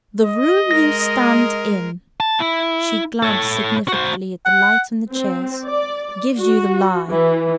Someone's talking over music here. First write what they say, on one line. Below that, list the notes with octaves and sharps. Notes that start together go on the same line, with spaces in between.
The room you stand in"--she glanced significantly at the lights and the chairs--"gives you the lie.
D#5
G#3 A#4 A#6
A5
E4
A4 C#5
F#4 C5
F#5
C4
D5
F#4
E3